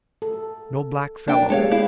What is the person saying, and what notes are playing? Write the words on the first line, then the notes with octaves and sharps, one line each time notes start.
No black fellow.
A4
A#3 D4 G5
G#3 B3 G4 A4 C#5 F5
B3 E4 F5